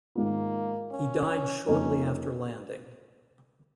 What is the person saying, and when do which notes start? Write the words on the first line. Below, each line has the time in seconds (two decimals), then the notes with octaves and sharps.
He died shortly after landing.
0.16 G#2 D#3 G#3 A#3 F4
0.92 C#4
1.68 F2 C#3 A#3 C#4 D#4